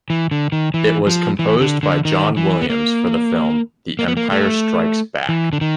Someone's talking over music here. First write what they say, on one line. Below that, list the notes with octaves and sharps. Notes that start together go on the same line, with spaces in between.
It was composed by John Williams for the film "The Empire Strikes Back".
E3
D3
D#3
E3
F3
E3
D3
D3
D#3
E3
B3
A#3
A#3
B3
A#3
A3
E3
D3
D#3